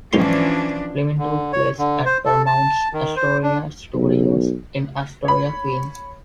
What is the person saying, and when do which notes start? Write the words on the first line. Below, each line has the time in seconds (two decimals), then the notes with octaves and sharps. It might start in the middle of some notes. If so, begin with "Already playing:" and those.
Filming took place at Paramount's Astoria Studios in Astoria, Queens.
0.13 B1 G#2 E3 F3 C#4 D4 C6
1.18 D3
1.53 C#5
1.78 D3
2.06 C5
2.26 A4
2.46 A5
2.93 D#3
3.16 C5
3.43 D4
3.95 B1
5.24 C#5 B5